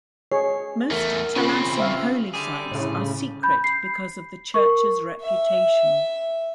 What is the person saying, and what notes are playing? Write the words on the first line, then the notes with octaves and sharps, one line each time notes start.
Most Talassan holy sites are secret because of the church's reputation.
G#4 C#5 C7
E2 A3 A#4
C#3 C4 C#4 F4 B5
C5 E5 F5
D3 G3 G#4 D6
A2 C#3
B5 G6
C7
A#4 C#6
E5